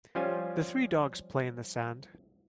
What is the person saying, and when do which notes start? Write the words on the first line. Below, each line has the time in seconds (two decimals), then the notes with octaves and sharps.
The three dogs play in the sand.
0.15 F3 G3 C#4 F4 C5 G#5